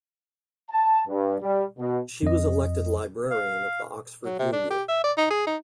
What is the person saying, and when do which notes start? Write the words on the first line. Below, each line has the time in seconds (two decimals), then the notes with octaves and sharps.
She was elected Librarian of the Oxford Union.
0.70 A5
1.07 G2
1.41 G3
1.78 B2
2.23 F2 D#5
3.31 F5
4.25 F#3
4.39 C3
4.53 D4
4.70 G4
4.88 E5
5.04 D5
5.17 D#4
5.30 G#4
5.47 D#4